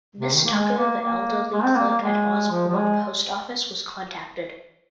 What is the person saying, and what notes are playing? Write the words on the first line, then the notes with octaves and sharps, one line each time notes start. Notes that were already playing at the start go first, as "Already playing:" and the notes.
Miss Tucker, the elderly clerk at Osborne Post Office, was contacted.
C3
D#3
A#3
G#3
A#3
A#3
G#3
C4
A#3
A#3
G#3
F3
F3
G#3